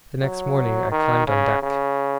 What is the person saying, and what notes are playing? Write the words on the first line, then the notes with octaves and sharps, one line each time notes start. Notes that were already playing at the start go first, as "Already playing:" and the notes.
The next morning I climbed on deck.
F#3
D#3
C#3
C#3